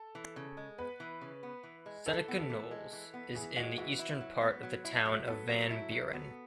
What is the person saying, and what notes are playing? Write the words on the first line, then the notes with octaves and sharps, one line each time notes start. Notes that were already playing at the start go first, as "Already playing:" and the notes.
Seneca Knolls is in the eastern part of the town of Van Buren.
Already playing: A4
E3
C#3
G#3
B3 B4
E3
C#3
B3
E3
G#3
E3 A4
B3
A4
E3
G#3
E3
B3
E3 G#4
G#3 F#4
E3 F#4
E4
F#3
B3
F#3
E4
F#3
B3 A4
F#3
E4
F#3
B3